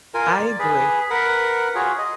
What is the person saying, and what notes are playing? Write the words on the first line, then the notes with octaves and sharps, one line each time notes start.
I agree.
F4 A#4 G#5
D5
G#4 B4
A#4 B4 F#5
F4 F#4 G#4 C#5
D#5